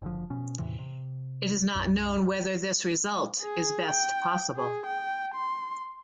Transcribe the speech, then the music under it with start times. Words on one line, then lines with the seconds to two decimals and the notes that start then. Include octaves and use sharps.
It is not known whether this result is best possible.
0.02 F#1 D3 F3
0.30 B2 C#4
0.59 E2 A2 C3 E3
0.79 C3
1.75 B1 F#2
3.41 G#4
3.89 G5
4.56 G#4
4.86 G5
5.34 C6